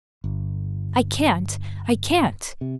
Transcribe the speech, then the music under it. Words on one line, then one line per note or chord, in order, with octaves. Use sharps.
"I can't--I can't!"
G1
C3